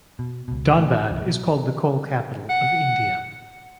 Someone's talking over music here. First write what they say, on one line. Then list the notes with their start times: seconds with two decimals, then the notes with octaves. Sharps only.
Dhanbad is called "The Coal Capital of India".
0.19 B2
0.48 C#2 B2
0.77 A1 A3
1.11 C2 G2 E3 F3
1.26 B2 F#3
2.50 F#5